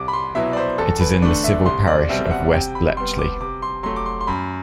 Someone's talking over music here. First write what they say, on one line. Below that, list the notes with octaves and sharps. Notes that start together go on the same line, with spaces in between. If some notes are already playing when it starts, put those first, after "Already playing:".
It is in the civil parish of West Bletchley.
Already playing: C2 D6
B5
C6
B2 F#3 B3 E4 E5
D5
C5
E2 A4
B4
D3 A3 D4 D5
E5
C2 C6
D5
B2 G3 C4 E5
E5
F#5
C3 G5
B5
G3 B3 C6
D6
C3 D6
C6
F#3 A3 C6
D6
C6
C6
F#2 B5